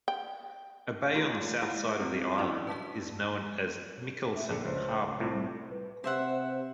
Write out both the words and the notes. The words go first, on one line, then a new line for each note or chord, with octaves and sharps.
A bay on the south side of the island is known as Mikkelsen Harbor.
G5
A3 F4 G4 G#4 D#5
G#3 E4 G4 F5 F#5
C4 F4
C#4 D4 E4 F#4 D5 D#5
B4 A5 B6
E5
A#1 D3 G#4
C#2 C5
C2 A2 C3 F4
G3
B4
C3 C5 E5 F#5